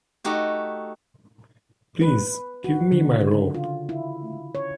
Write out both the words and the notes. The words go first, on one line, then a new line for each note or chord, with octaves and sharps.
Please give me my robe.
A3 D#4 F#4 G4
B4
F#4
D3
C#3
F4
E4
C#5